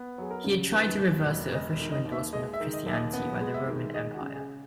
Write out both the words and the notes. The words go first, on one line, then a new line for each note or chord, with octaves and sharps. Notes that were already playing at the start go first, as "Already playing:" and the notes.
He had tried to reverse the official endorsement of Christianity by the Roman Empire.
Already playing: B3
F#3 G#4
A#4
C#3
D#3 B4
D#2
E1
E1 D#5
D#3
D#5
D#2
E5
G#3 D#5
E5
D#3
D#5
D#2 E5
D#5
B3
G#3
E5
D#3
G#3 D#5
F#4
C#3
G#4